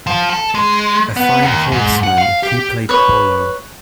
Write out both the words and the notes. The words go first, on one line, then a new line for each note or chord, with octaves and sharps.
A fine horseman, he played polo.
F3
A4
G#3
B3
D#2
G#2
F#5
F5
G4
B4 C#5